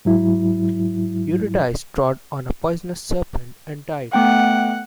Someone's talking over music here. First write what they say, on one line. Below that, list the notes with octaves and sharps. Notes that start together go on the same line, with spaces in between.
Eurydice trod on a poisonous serpent and died.
G#2 F#3 E4
A3 B3 F#5 G5